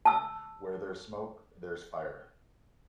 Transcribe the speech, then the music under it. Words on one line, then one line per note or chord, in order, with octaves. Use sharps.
Where there's smoke there's fire.
A5 E6